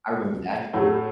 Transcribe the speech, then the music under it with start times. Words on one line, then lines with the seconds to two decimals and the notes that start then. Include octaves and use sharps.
I remember that year.
0.73 A2 F#3 A3